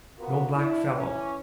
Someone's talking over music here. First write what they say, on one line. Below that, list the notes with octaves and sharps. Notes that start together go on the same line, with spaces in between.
No black fellow.
B3 F4 F#4 A#4
D4 E4
E3 C#4